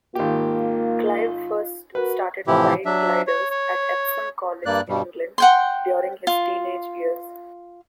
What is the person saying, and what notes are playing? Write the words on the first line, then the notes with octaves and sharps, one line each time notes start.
Clive first started flying gliders at Epsom College in England during his teenage years.
G#1 A#3 F4 G4
F#4 A#4 B4
A2 C3 E3 F3 E4 G4
F#3 D4 E5
C#5
C#5
G2 A#3 D5 F#6
G2 B2 G3
F#5 G5 C6
F4